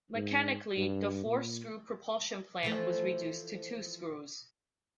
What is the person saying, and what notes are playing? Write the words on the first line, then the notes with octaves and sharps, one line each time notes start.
Mechanically, the four screw propulsion plant was reduced to two screws.
G#2
G2
A#2
E3 F3 A3